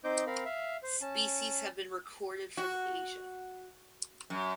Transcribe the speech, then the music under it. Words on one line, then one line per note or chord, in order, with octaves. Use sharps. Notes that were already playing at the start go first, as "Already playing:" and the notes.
Species have been recorded from Asia.
C4 D#4 C5 D#5 D6 G6
C4 A#4 F5 B5
E5 F5
C5
C#4 A5
F#4
F#2